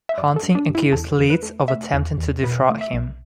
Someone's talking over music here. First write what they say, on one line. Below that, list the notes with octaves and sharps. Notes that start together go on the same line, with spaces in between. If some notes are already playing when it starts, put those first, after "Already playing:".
Hunting accused Leeds of attempting to defraud him.
E5
G2 D5
A4
G2
D4
G2
E4
E2 A4
E2
B4
A3
A3 E5
E2
E2
B2 B4
A3
E5
B1